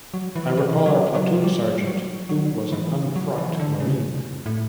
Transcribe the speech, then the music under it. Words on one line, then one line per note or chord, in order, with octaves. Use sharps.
I recall our platoon sergeant who was an unfrocked Marine.
F#3
E3
E3
F#3
F#3
G3
F#3
F#3
E3
F#3
E3
D3
C#3
A2